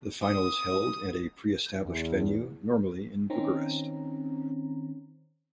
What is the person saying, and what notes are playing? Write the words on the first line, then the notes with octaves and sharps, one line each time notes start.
The final is held at a pre-established venue, normally in Bucharest.
D#6
E2
D#3 C4 C#4 A#5